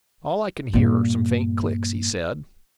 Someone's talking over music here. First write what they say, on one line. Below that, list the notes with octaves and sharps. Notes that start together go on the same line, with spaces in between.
"All I can hear are some faint clicks," he said.
G2 A#2